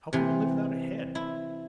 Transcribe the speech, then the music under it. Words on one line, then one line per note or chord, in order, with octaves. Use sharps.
How can it live without a head?
C3 E3
E4